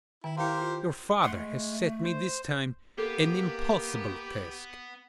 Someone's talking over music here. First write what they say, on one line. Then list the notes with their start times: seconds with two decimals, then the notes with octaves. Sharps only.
Your father has set me this time an impossible task.
0.24 D#3 E4 G5
0.37 E4 G4 A#4 C5 F5
0.61 F4
1.23 A3 F#5 C6
1.37 G#3
2.03 C5
2.98 A#3 B3 G4 A4